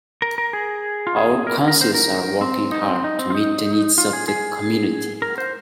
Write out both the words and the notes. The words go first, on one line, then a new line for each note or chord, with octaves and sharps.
Our Councils are working hard to meet the needs of the community.
A#4
A#4
G#4
F4
G#4
A#4
A#4
C5
A#4
C4
D#4
C4
D#4
C4
F4
D#4
F4
G#4
G#4
A#4
C5